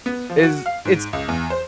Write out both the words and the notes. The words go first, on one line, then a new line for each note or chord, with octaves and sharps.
Is it's
B3
F3
F#4
F5
G#2
C#2
E2
C5